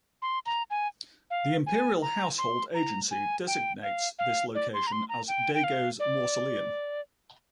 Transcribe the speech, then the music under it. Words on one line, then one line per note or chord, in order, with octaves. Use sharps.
The Imperial Household Agency designates this location as Daigo's mausoleum.
C6
A#5
G#5
F5
G#5
A#5
C6
A#5
G#5
G5
F5
F5
D5
C6
A#5
C6
A#5
G5
G5
F5
D5